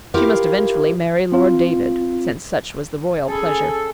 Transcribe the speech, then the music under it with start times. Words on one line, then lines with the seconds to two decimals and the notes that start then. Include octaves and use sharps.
She must eventually marry Lord David, since such was the royal pleasure.
0.14 E4 F4 G4 A#4 F5
1.32 C4 F4
3.28 C#4 G#4 A4 B5